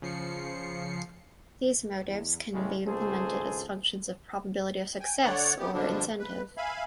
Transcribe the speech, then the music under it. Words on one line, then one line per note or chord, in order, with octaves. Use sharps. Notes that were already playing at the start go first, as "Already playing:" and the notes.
These motives can be implemented as functions of probability of success or incentive.
C#3 F3 C7 C#7
E2
E2 A2 C#3 G3 G#3
G#1 C#2 G#4 A4 C5
G5 G#5
D3 C#5 D5 F#5
B3 G4
B2 D3 F3 G3 D4
B4
E5 F5 G#5 B5